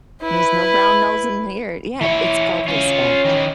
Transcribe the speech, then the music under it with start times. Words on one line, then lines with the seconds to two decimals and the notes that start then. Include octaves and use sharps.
There's no brown nosing here Yeah, it's called respect.
0.23 E4 B4
2.01 E3 E4 C#5
2.68 C#4 F4 C#5
3.25 D#3 E3